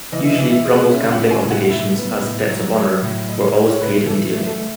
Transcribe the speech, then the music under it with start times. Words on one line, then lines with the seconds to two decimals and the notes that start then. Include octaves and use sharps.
Usually Brummell's gambling obligations, as "debts of honour", were always paid immediately.
0.12 E3 D#5
0.25 E5
0.32 D#5
0.38 E3
0.52 E5
0.65 G#3
0.71 F#5
0.91 C#4 E5
1.12 F#5
1.18 A2
1.31 G#5
1.44 A2
1.50 F#5
1.70 A2 E5
1.97 B3
2.23 A2
2.49 F#3
2.76 F#3
3.02 A2
3.28 A2 D#5
3.54 G#3 C#5
3.69 C#5
3.81 A2 B4
4.07 E3 A4
4.34 A3
4.47 A4
4.59 A3